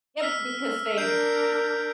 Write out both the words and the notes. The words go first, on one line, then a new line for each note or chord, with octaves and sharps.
Yep, because they h
E6 F6 B6
D4 A#4 G6 C7 D7